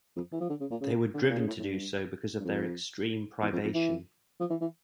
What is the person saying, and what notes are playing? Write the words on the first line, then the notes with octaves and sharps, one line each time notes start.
They were driven to do so because of their extreme privation.
F2
E3
F3
D3
C#3
A#2
C#3
D3
C#3
A#2
C#3
A2
A2
G2
G2
F2
E2
F2
F2
E3
F3
E3
E3